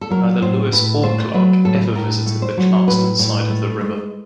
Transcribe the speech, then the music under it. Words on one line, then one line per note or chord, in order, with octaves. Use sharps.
Neither Lewis or Clark ever visited the Clarkston side of the river.
A4
F#3 A#4
A2 C5
A2 B4
A3 C5
F#3 B4
A2 A4
A2 A#4
A3
C5
F#3
A2 B4
A2
A3
G#3